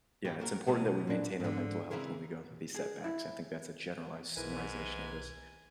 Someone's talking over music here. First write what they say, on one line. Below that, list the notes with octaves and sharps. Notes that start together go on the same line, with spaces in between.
Yeah, it's important that we maintain our mental health when we go through these setbacks, I think that's a generalized summarization of this,
G2 E3 G4
A#3 F#4 G4 A#4
B2 D3 E3 F#3 G#3 A#3
A#2 E3 D4
G#2 D3
C#3 E3 C4 E4 G#4 A#4
G#4
E4
B1 G#2 E4 A#4 B4 G#5